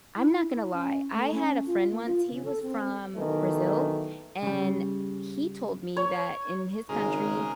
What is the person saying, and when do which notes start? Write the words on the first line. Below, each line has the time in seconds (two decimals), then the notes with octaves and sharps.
I'm not gonna lie, I had a friend once, he was from Brazil, and he told me that in his country,
0.17 E4
0.43 E4
0.73 C#4
1.13 A3
1.34 C#4
1.66 F4
1.90 A#3
2.06 F4
2.30 C#3
2.44 A4
2.62 C4
3.16 B1 D#3 E3 A3
4.42 C#3 G3
5.97 C#5
6.89 G#1 C#3 G#3 A#4